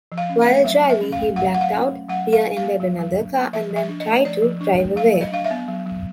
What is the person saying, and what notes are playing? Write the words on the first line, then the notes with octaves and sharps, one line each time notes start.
While driving, he blacked out, rear-ended another car, and then tried to drive away.
F3
F5
C#4
F5
A3
F#3 E5
F#3
E5
C#4
F5
A3
F#3 F#5
F#3 F#5
F5
C#4
A3
F#3 F#5
F#3
F5
D4
F5
A#3
F#3
F#3
D4
A#3
F3 E5
F3
E5
D4
D#5
A3
F3 D5
F3
D4
A3
F#3 F5
F#3
D#5
D4 F5
E5
B3
F#3
F#3